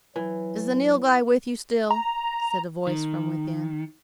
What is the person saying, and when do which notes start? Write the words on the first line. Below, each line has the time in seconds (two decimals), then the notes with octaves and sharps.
'Is the Nilghai with you still?' said a voice from within.
0.16 E3 F#3
1.91 A#5
2.87 D#3